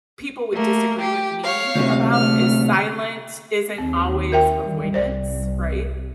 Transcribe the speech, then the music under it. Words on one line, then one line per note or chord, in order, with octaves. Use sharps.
people would disagree with me about is, silent isn't always avoidance, right?
A3 A#3
G4
C#5 F5
D2 C3
A3 F6
D#2 C4
A#4 E5 G5
D#3 G3
C2 C5 D5